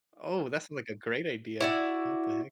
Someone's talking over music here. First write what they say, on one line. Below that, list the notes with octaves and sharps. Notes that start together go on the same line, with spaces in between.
Oh, that's, like, a great idea. What the heck?
E4 F#4 D5